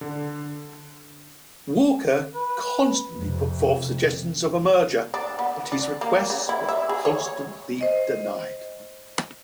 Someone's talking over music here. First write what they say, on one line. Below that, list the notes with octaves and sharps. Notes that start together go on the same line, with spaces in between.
Walker constantly put forth suggestions of a merger, but his requests were constantly denied.
D3
B4
F2 C3
D4
B3
D4
A#3
C#3
E4
E5
G#4
C#5
C5 D#5